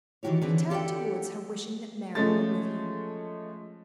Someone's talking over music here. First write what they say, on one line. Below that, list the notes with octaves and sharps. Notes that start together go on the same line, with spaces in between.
He turned towards her, wishing that Mary were with him.
D#3 E3 G3 F#4 G4 C#5
D3 E3 C4 G#4 B4 F#5
G4 A4 D5 D#5 F#5 G5
F3 G#3 A3 C#4 A6